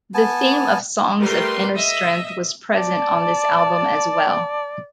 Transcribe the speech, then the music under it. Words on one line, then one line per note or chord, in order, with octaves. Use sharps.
The theme of songs of inner-strength was present on this album as well.
B3 G#5 A5
G3 A3 A#4 B4 G5 C6
D#5 E5
D5 A5